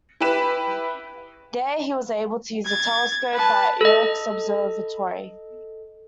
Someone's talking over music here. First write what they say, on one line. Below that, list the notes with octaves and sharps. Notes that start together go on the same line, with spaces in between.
There he was able to use the telescope at Yerkes Observatory.
E4 G4 B4 E7
G#6 A6
B4 A5
A4 D#5